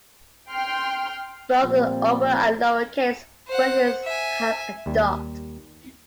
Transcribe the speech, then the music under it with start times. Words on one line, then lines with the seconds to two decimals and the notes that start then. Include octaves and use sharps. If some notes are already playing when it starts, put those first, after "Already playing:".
Both the upper and lower case versions have a dot.
0.50 G5 C6 F6
1.63 A#2 F3 G3 C4
3.48 C5 F#5
4.04 E5 G#5
4.86 D#2 G3